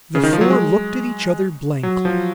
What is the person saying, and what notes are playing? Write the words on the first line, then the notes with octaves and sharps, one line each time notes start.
The four looked at each other blankly.
C#3
D#3
F3
F#3
G#3
F#3
F3